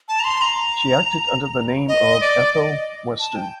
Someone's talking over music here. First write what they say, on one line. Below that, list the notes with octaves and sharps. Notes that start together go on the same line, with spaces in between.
She acted under the name of Ethel Western.
A5
A#5
C6
A#5
D#5
D5
D#5
A5
G5